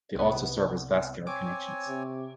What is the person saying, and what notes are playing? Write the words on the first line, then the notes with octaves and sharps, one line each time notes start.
They also serve as vascular connections.
C2 B3
C4 C#5 G#5 D6
C3